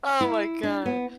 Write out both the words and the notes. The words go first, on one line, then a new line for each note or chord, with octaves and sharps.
Oh my God.
E4
D4
B3